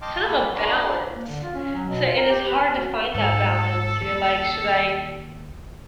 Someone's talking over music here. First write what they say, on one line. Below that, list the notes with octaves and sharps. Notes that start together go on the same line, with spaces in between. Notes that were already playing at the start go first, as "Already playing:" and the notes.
kind of a balance. So and it's hard to find that balance. You're like, "Should I,
D#5 G5 A5 C6 D6 F6
A#3 F#4 A4 F5 B5 F6
D4 F#4 A#4 B4 A5 C6
A#3
D3
F4
C#4
F#3
B2
F4
A#4
G4
B4
C#4
F#4
G#2 A4
D#2